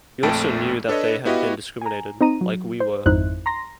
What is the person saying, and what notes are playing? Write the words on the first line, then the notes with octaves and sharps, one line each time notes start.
We also knew that they had been discriminated, like we were.
A#1 F2 A3 G5 A5 D7
D4 A4 B4 C#5 D#5
B3 E4 F#4 G4 D#5 F5
G#5 A#5
C4 D#4 A#5 D#7
F#3
C5
G#1 F2 D#4 E4 C5 F#6
A#5 C6 A#6